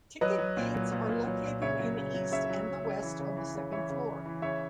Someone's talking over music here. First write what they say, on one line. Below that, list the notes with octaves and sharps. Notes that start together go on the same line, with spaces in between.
Ticket gates are located in the east and the west on the second floor.
F#3 B4 D#5
F#3
A#2
F#3
A#2
A#2
F#3
A#2
C#3 C#5 E5
F#3
C#3
F#3
C#3 C#5 E5
F#3
C#3
C#3
E3
C#3
E3
C#3
E3 C#5 E5
C#3
E3
E3
C#3 C#5 E5